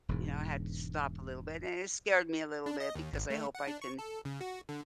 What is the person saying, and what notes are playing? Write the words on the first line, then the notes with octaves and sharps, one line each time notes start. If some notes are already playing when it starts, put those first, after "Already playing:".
you know, I had to stop a little bit and it scared me a little bit because I hope I can,
E1 G#2
D4
D#5
D#2
G#1
A3
F#5
D4
C#6
A4
C#3
F#4
D3